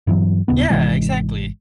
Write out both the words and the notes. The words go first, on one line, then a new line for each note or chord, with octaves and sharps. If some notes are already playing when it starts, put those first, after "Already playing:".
Yeah, exactly.
G2 E3 F#3
D#1 C#3 B3
G#1 C3 E3 G#3